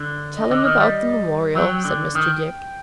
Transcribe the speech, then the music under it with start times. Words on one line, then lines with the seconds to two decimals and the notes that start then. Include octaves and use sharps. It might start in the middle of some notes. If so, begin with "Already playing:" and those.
'Tell him about the Memorial,' said Mr. Dick.
Already playing: D3
0.35 D#5
0.50 D3
0.65 D#3
0.80 G3
1.55 F#3 G5
1.75 G5
1.85 D3
2.15 D#3 G5